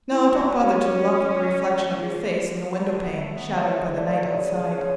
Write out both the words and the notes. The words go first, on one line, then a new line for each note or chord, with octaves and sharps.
No, don't bother to look at the reflection of your face in the window-pane shadowed by the night outside.
E4
F#3
C#4 F#4
G#4
D4
B3
A3
B3
B3
A3 C#5
G#3 E5
A3 D5
F#3 D5
C#3 D5
C#5
C#5